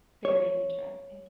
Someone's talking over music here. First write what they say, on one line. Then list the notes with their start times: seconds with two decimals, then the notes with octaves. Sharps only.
Very interrupting.
0.25 C#5